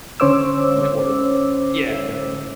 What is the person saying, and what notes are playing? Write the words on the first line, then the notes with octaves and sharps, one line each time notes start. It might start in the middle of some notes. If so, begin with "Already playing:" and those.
um, it worked. Yeah, definitely.
D3 C#4 C5 C#5 D6 E6